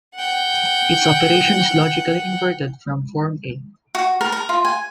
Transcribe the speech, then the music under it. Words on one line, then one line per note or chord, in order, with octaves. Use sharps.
Its operation is logically inverted from Form A.
F#5 G5
F#4
A#4
A#4
F4
G#5